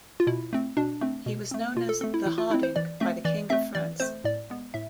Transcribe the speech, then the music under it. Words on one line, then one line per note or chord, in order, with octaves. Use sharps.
He was known as "the Harding" by the king of France.
F4
B2 E4
A3 C4
B2 D4
A3 C4
B2
A3 C4
B2 F4
A4
A3 C4 A4
E4
E3 E4
F4
A3 C4 E4
C5
E3 D5
A3 C4 E5
E3 D5
A3 C4 E5
E3 D5
A3 C4 C5
A2 D5
G#3 B3
A2 E5